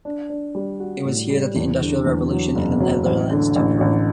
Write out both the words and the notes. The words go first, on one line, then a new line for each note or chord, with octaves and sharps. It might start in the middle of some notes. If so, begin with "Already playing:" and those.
It was here that the industrial revolution in the Netherlands took root.
D4
D4
G3
F#4
A2
G3
E2
D3
E2
F#3
F#1
F#3
A1
D3
A1
A1